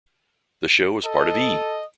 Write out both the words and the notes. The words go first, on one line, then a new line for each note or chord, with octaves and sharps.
The show was part of E!
A4 D#5